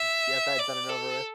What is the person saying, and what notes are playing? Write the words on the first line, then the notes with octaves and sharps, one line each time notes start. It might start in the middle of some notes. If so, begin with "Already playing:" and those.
Just get that done and over with.
Already playing: E5
D5
A4